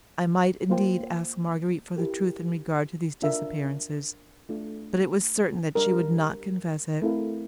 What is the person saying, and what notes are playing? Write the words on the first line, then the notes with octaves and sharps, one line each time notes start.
I might indeed ask Marguerite for the truth in regard to these disappearances, but it was certain that she would not confess it.
A#3 F4 C5 G5
E4 G4 A#4
D4 F4 A#4 E5
A3 D4 F4
G3 D4 G4 A#4
A3 C4 E4 A#4 F5